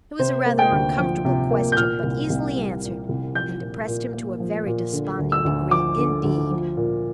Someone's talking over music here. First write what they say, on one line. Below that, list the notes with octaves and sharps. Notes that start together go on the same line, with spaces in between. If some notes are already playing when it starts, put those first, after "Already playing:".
It was a rather uncomfortable question, but easily answered, and depressed him to a very desponding degree indeed.
C3 C5
A#3
G5
D2
F3
C3
A#3
G6
A#2 F6
C2
C2
G3
A#2
C2
F3 G6
A#2
A#2
A#3
F3
A#2
D3
D2
E6
D2
F3 D6
D3
D2
F3
A#2